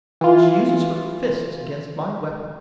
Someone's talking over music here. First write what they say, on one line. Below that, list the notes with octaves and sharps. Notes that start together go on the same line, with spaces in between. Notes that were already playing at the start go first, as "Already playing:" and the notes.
She uses her fists against my weapon.
E3 F4